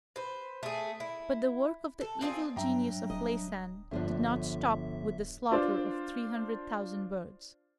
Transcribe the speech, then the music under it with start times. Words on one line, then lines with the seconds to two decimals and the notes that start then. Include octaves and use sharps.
But the work of the Evil Genius of Laysan did not stop with the slaughter of three hundred thousand birds.
0.16 B4 C5
0.63 A3 G#4
1.00 E4
2.01 A4
2.21 C4 D4 F4 G#4
2.56 G2 F#3 G3 D4 E5 G5 A#5
3.10 D1 D#5
3.91 G1 D3 F3 D4 E5
5.51 D4 F4 C5 D5